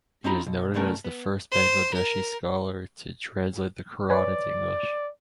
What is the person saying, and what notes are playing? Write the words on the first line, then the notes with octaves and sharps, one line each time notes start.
He is noted as the first Bangladeshi scholar to translate the Quran into English.
C4 C#4 D#4 F4 A#5 B5
B1
C2 G2 A3 C#4 G#4 A#4
B3
C5
A#4
B4 C#5 D5 G#5